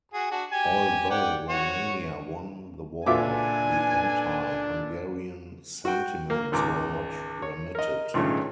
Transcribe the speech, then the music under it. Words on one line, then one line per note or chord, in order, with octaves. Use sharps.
Although Romania won the war, the Anti-Hungarian sentiments were not remitted.
F#4 G#4
D4 F#4
G4 G#5
D5 F#5 G5
F#4 C#5
A#2 D4 F4 A4 B4 E5 G#5 D6
F#4 G5
A#3
G#1 C#2 A#5 D6
C#5
A#4 D#5
G#1 G2 A#2 C#3 A3 C#5